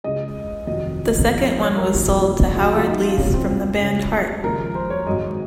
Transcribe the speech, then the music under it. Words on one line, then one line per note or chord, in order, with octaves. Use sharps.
The second one was sold to Howard Leese from the band Heart.
C#2 C#3 G#3 D#5
F1 F2 D#3 F#3 D#5
G#1 G#2 F3 G#3
C#5
A#4
F#1 F2 C3 F#3
F2 C#3 F3 G#3 F#4
F4
D#4
C2 A#2 F#3 C#4
C4
C#2 C#3 F#3 C#4
D#2 C#3 F3 G#3 A#4
C5
C#5
G#1 G#2 F#3 D#5